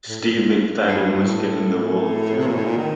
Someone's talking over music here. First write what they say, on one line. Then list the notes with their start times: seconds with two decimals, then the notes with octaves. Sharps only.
Steve McFadden was given the role of Phil.
0.08 A2
0.21 A#2
0.33 A#2
0.85 G2
0.98 F#2
1.11 G2
1.23 A2
2.38 C3
2.47 A#2
2.56 A2
2.65 A#2
2.77 D#3